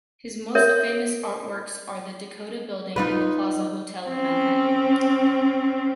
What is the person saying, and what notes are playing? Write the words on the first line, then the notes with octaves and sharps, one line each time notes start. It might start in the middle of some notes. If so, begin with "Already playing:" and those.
His most famous art-works are the Dakota-Building and the Plaza Hotel in Manhattan.
A#4 C#5 E5
D#4 F4 B4
C4 C#4